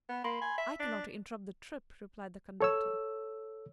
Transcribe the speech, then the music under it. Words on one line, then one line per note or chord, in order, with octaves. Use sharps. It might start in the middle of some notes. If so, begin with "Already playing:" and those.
"I cannot interrupt the trip," replied the conductor.
B3
A#3 B5 C6
G#5
E5 B6
D4
A4 C#5 E6